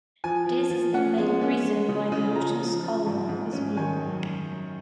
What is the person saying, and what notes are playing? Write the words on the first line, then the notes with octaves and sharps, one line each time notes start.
This is the main reason why the ocean's color is blue.
F3 G#5
F3
F3
C#4 F#5
G#3
C#4
G#3
C#3
C#3
F3 A#5
F3
F3
G#2
G#2
C#4
D#3 G#5
F#2